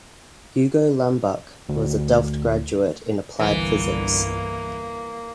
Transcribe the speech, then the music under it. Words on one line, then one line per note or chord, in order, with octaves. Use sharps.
Hugo Lambach was a Delft graduate in applied physics.
D2
G1 C2 D3 E3 A#3